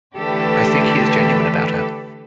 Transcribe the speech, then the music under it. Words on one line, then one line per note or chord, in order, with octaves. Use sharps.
I think he is genuine about her.
D3 E3 A3 G4 A4 B4